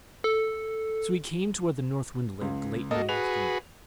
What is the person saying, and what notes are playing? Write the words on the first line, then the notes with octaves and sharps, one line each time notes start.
So he came to where the North Wind lived late in the afternoon.
A4
C#2
A#3 F#4 A4 D#5
F#4 G#4 B4 F7